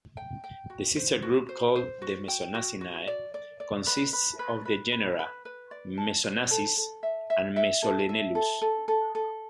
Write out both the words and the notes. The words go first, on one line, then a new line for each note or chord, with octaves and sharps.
The sister group called the Mesonacinae consists of the genera Mesonacis and Mesolenellus.
G5
G5
F#4
C5
F#4
C5
C5
F#4
G5
F#4
F#4
D5
D5
D5
B4
B4
B4
B4
B4
B4
B4
D5
A5
C5
A4
A4
E5
E5
E5
A4
E5
A4
A4
A4
A4